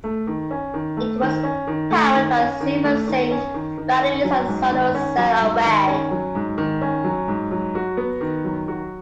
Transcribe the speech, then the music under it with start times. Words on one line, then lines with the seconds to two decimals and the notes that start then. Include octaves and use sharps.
It was powered by silver-zinc batteries and a solar cell array.
0.04 A3
0.27 D#3
0.51 C#4
0.74 D#3
0.97 A3
1.21 D#3
1.43 C#4
1.67 D#3
1.91 A3
2.14 D#3
2.38 C#4
2.61 D#3
2.84 A3
3.07 D#3
3.31 C#4
3.54 D#3
3.78 D#3
4.01 C#4
4.24 F#3
4.48 G#2
4.71 D#3
4.95 C#4
5.17 F#3
5.41 G#2
5.64 D#3
5.87 C#4
6.11 F#3
6.35 G#2
6.58 D#3
6.81 C#4
7.04 F#3
7.28 G#2
7.51 F#3
7.75 F#4
7.97 B3
8.21 D#3
8.44 F#3
8.68 F#4